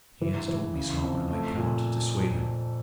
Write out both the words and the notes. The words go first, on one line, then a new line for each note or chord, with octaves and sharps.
He has told me so, and I cannot dissuade him.
E3
E3
C#3
F2
A3
A#2